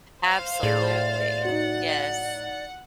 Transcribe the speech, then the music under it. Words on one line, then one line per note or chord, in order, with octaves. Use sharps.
Absolutely, yes.
C5 F5
A2 G#4 D5
D#4 F#4 F#5